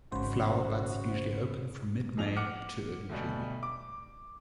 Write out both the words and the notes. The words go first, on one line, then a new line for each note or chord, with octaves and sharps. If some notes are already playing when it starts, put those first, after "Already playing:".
Flower buds usually open from mid-May to early June.
G#1 G#2 C#3 F#4 C5 B5
F2 G#4 D#5 F7
F#5 D6 F6 C#7
D2 B2 G3
D6